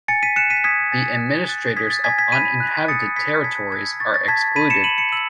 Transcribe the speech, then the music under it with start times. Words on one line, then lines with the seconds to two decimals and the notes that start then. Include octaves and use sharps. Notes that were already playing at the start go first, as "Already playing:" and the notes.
The administrators of uninhabited territories are excluded.
0.08 G#5 A6 C#7
0.23 B6 D#7
0.36 F#6 C#7 E7
0.50 B6 D#7
0.64 D#6 G#6 B6
0.92 G#5 A6
1.20 G#5 G#6
1.49 F#6 A6
1.77 D#6 G#6 B6
1.90 A6
2.04 G#5 G#6 B6
2.18 G#6 B6
2.32 B5 B6 D#7
2.60 F#6
2.88 D#6 A6 C#7
3.16 B5 G#6 B6
3.44 A5 G#6 B6
3.72 E6 G#6
4.00 C#6 A6
4.14 A6
4.28 A5 G#6 B6
4.56 B5 B6 D#7
4.70 C#7 E7
4.84 B5 D#7 F#7
4.98 C#7 E7
5.12 E6 D#7 F#7